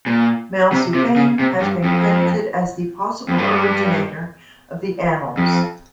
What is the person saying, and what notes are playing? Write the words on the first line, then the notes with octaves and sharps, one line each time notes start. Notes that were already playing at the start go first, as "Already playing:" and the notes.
Maelsuthain has been credited as the possible originator of the "Annals".
A#2
C3
C3
C#3
C3
G2
F2
F2
G2
F2